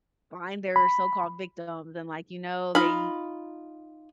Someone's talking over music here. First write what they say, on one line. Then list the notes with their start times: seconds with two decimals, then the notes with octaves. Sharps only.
find their so-called "victims," and, like, you know, they
0.76 B5
2.75 D#4 F4 B5